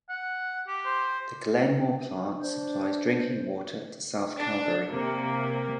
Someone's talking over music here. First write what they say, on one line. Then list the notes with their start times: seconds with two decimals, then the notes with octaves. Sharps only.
The Glenmore plant supplies drinking water to south Calgary.
0.09 F#5
0.67 G4
0.86 C5
2.42 D4 C5
4.37 D4
4.89 C3 A#3